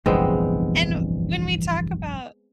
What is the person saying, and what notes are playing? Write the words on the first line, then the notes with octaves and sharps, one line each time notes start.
And when we talk about
F1 A#1 E2 G2 G#3 B3 C4